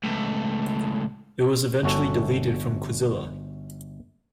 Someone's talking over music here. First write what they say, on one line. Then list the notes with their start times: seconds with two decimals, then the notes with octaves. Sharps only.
It was eventually deleted from Quizilla.
0.04 C#2 A2
1.83 G1 C#4 F#4 A4